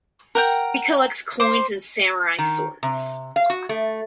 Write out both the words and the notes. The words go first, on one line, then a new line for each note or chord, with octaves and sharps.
He collects coins and samurai swords.
A#4 F#5 G5
C5 C6 D6
D#3
C3
F5
F#4
A3